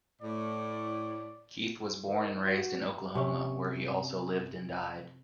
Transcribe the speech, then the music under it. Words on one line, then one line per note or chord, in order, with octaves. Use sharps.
Keith was born and raised in Oklahoma, where he also lived and died.
A2 D5
D#3
F#4
C3 C#4